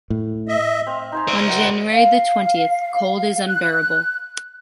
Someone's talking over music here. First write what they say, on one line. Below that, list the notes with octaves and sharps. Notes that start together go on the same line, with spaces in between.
On January the twentieth cold is unbearable.
A2
D#5 E5
C4 F5
D#4 C5 G#5
D5 E5
F#4 A#4 D#5
F#5 B5
F5
F#6